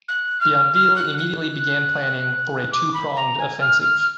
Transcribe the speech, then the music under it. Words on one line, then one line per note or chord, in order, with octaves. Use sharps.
Bienville immediately began planning for a two-pronged offensive.
F#6
F6
F6
F#6
F#6
D6
B5
A#5
G#5
F6
F6